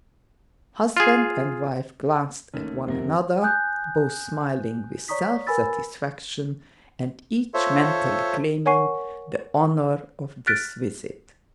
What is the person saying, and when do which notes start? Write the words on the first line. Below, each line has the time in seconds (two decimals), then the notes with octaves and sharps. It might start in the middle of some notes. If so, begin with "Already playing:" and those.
Husband and wife glanced at one another, both smiling with self-satisfaction, and each mentally claiming the honor of this visit.
0.97 F4 G#4
2.54 D#2 A3 C#4
2.86 F2 C3 F4 A#4
3.42 G#5 D#6 F#6 G6
5.08 C#5 D5 A#5 C#6 D#6 B6
5.47 A#4 B4 G#5 B5 E6 A6
7.54 F4 A4 C5 C#5 E5
8.66 A#4 C#5 F#5 G#5 C#6 C7
10.47 F6 F#6 A6 B6 D7